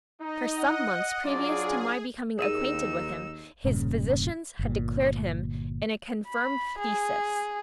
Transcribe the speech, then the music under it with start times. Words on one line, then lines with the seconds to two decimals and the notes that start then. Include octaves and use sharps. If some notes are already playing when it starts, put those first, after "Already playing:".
For some months previous to my becoming acquainted with him, his physicians had declared him in a confirmed phthisis.
0.21 D#4 D#5
0.57 F#5
1.25 F#3 D4 F4 G#4 D5
2.39 D#2 D#4 G#4 E6 D#7
3.64 E1 G2 A#2 C#3
4.59 G1 A#2
6.27 B5
6.79 G#4